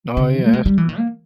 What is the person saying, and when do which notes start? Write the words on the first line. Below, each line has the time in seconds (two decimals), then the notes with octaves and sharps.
No, yeah. That's correct.
0.17 C#3
0.45 A#3
0.53 G#3
0.66 G3
0.78 E3
0.89 D#3
0.98 A#3